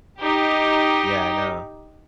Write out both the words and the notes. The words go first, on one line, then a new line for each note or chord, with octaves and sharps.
Yeah, I know.
D#4 G4